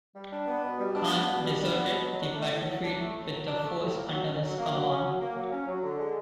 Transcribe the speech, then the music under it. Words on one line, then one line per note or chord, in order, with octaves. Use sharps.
Khan deserted the battlefield with the force under his command.
G3
D4
B3
B2
G3
D4
B3
B2
G3
D4
B3
B2
F#3
D4
A3
A2
F#3
D4
A3
A2
F#3
D4
A3
A2
A#3
F#3
C#4
F#3
A#3
F#3
C#4
F#3
A#3
F#3
C#4
F#3
D3
G#3